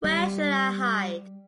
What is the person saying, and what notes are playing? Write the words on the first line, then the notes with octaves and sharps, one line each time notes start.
Where shall I hide?
G3